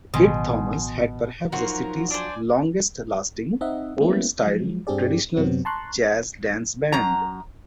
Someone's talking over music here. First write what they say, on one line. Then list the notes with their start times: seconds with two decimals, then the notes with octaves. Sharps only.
Kid Thomas had perhaps the city's longest lasting old-style traditional jazz dance band.
0.14 A1 B2 D#3 F#3 G#5 C6 D#6
1.52 F3 F#3 D#4 F#4 A#4 C6
2.11 D4 C5 D5 G#5
3.61 C4 D#4 D#5 E5 F#5
4.00 G#3 A#3 B3 C#4 E4
4.43 F3 F#3 G#3
4.87 G2 C4 D4 G4 G#4 D5
5.36 F#2 C3 F#3 B3 C4
5.65 A5 A#5 C6 C#6 F#6
6.92 F#2 A#5